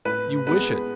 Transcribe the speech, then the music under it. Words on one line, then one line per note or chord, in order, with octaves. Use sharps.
You wish it.
A2 B4
G#3 B3 B4